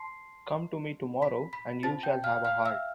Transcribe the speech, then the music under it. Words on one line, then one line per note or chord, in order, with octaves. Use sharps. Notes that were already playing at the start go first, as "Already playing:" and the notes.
Come to me tomorrow and you shall have a heart.
Already playing: A5 C6 C7
B5 B6
B5 B6
F4 C5 A5 A6
G5 G6
F5 F6
F5 F6
E5 E6